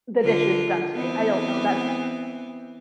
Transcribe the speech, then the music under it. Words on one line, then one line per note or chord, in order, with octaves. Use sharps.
the dishes done today, I don't know. That's r
D3 F4
E3 B3 C4